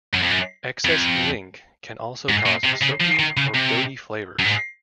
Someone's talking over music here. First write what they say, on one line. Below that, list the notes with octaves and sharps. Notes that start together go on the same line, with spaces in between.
Excess zinc can also cause soapy or goaty flavors.
F#2
F2
F#2
F2
G#2
A#2
C3
C#3
F3
D#3
C#3
C3
F#2
G#2